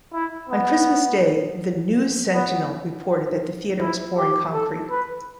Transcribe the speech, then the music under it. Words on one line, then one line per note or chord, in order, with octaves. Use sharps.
On Christmas Day the "News-Sentinel" reported that the theatre was pouring concrete.
E4
B3
B3
E4
G4
A4
B4